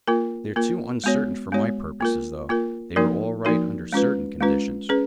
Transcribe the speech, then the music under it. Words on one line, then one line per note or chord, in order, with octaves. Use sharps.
"They're too uncertain for my purposes, though; they are all right under certain conditions."
A#3 F4 A#4
A#3 F4 A#4
G#3 B3 F#4 C#5
G#3 B3 F#4 C#5
A#3 F4 A#4
A#3 F4 A#4
F3 A#3 D#4 F#4 A#4
F3 A#3 D#4 F#4 A#4
G#3 C#4 F4 B4
G#3 C#4 F4 B4
C#4 G#4 B4